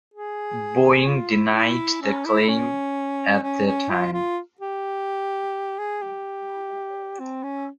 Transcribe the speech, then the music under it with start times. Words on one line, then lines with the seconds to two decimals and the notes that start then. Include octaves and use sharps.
Boeing denied the claim at the time.
0.14 G#4
1.07 F4
1.32 E4
1.55 E4
2.02 C#4
2.26 E4
2.48 C#4
3.43 C#4
3.67 C#4
3.90 F4
4.13 F4
4.61 G4
5.79 G#4
6.02 G4
7.20 C4
7.43 C#4